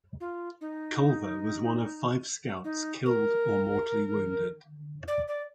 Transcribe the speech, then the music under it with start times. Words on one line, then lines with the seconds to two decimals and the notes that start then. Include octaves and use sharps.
Culver was one of five scouts killed or mortally wounded.
0.20 F4
0.61 D#4
2.64 D#4
3.06 A#4
5.08 D5
5.28 D5